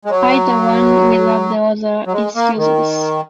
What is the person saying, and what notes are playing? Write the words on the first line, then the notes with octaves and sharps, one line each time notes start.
Either one without the other is useless.
G#3
F#3
F#3
G#3
A#3
D#3